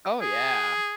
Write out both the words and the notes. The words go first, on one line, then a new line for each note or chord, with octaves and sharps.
Oh, yeah.
G#4